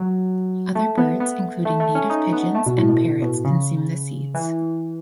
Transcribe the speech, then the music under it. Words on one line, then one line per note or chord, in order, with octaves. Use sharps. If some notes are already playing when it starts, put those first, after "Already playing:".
Other birds including native pigeons and parrots consume the seeds.
Already playing: F#3
A3
B3
B3
A3
A3
C#4
D#4
B3
A3
B2
A2
B2
B2
C#3
E3